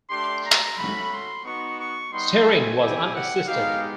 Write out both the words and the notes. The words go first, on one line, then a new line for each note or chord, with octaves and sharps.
Steering was unassisted.
A3 D4 G4 C6
A#5
A3 C#4 F#4 B5
C6
B3 D#4 F#4 C#6
C#6
G3 B3 D#4 C6
G#5
C4 E4 G4
F#5
G#3 B3 D#4 G4 F5